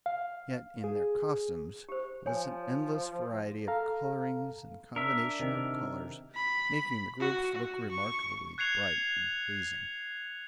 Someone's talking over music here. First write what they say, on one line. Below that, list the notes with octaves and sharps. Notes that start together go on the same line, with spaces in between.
Yet in their costumes was an endless variety of colorings and combinations of colors, making the groups look remarkably bright and pleasing.
F5
G#4
G4 C5
F3 C#5 G#5
A4 F5 A#5
D4 A#4 E5
C3 D#3
B5
F#4
F#4
C#6
F#6 G#6 C7 C#7 F7